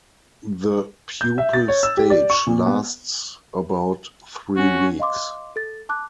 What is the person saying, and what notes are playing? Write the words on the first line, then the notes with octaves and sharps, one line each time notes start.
The pupal stage lasts about three weeks.
G6
E5
A6
C#5
E6
G4
D5
C#6
A#2
B3
C#4 F#4
D#5 F5 C6 D6
A4 A6
A5 D6 F#6